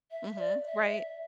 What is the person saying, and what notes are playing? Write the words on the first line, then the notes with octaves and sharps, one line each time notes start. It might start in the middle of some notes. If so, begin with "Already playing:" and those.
Mhm. Right.
E5
D5
E5
E5